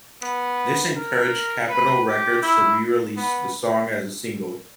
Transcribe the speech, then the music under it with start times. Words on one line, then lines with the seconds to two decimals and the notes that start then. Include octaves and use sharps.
This encouraged Capitol Records to re-release the song as a single.
0.22 B3
0.96 A#4
1.69 B4
2.07 G4
2.43 E4
3.17 B3